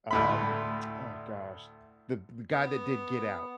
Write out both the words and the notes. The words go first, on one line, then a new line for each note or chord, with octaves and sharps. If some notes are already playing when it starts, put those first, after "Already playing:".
uh, um, oh gosh. The the guy that did Get Out.
D2 A2 B5
B3